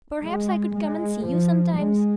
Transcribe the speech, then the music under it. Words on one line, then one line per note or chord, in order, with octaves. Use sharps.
Perhaps I could come and see you sometimes.'
G#3
G#3
F3
G#3